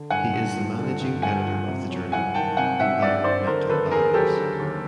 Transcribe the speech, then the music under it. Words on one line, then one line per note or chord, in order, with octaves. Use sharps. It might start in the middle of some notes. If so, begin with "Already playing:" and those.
He is the managing editor of the journal "Environmental Values".
Already playing: D3
G2 F#5 G#5
G2
F3
D3
G2
G2 F#5 G#5
F3
C3
F#3
C2 F#5 G#5
D#3 G5 A5
C3 F#5 G#5
F#3 E5 F#5
C2 D5 E5
D#3 C5 D5
D3 A#4 C5
D#2 A4 B4
D#2 G#4 A#4
F#3 G4 A4
D3
D#2